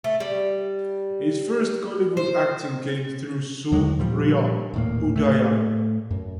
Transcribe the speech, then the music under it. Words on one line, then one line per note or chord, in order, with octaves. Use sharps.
His first Kollywood acting came through "Suriya Udayan".
A3
G3
C5
D#2 D3 F#3 G#3
A#2 F3 G3
D#1 A2 A#3
A2 A3
F#2